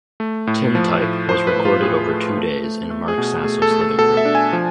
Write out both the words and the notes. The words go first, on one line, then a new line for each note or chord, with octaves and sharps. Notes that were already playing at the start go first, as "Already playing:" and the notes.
Tin Type was recorded over two days in Mark Sasso's living room.
A3
A2
F3
A2
F3 C5
B4
A2
F4
A2 G#4
A3
A3
A3
A3
G#4
B2
A3 G#4
A4
A3
A4
B2 A4
E5
D4
G#5
F3